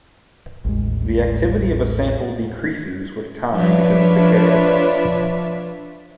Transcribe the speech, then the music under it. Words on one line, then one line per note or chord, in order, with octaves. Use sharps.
The activity of a sample decreases with time because of decay.
A1 D#2 G#3
F3 D4 F4 B4 C#5 E5